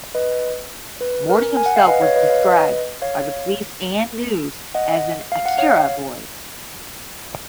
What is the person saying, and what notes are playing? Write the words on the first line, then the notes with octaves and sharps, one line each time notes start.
Morty himself was described by the police and news as an ""Akira" boy".
B4 D#5
B4
A#4
G#5
F#5
F5
B4 D#5
C#5 F5
B4 D#5
C#5 F5
B4 D#5
C#5 F5
D#5 F#5
F5
F#5
C#5 F5